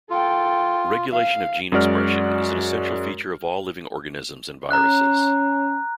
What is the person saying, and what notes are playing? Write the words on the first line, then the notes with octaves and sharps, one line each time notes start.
Regulation of gene expression is an essential feature of all living organisms and viruses.
F4 A4 G5
F5
F#2 G#3 F#4 D5 F6
C#4 A#5 F#6